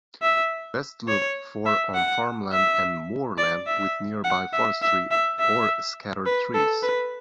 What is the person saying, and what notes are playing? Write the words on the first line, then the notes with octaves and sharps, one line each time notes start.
Best looked for on farmland and moorland with nearby forestry or scattered trees.
E5
C#5
E5
F#5
E5
D5
E5
F#5
E5
E5
E5
E5
B4
A4
B4